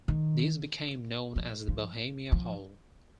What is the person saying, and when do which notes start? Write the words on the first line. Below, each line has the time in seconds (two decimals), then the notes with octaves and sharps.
This became known as the "Bohemia Hall".
0.08 D#3
1.36 F3
1.68 F3
2.32 F3